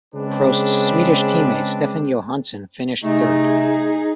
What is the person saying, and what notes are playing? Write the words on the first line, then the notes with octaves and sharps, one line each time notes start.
Prost's Swedish team mate Stefan Johansson finished third.
C#3 G#3 C4 D4 B4
C3 A3 D#4 G#4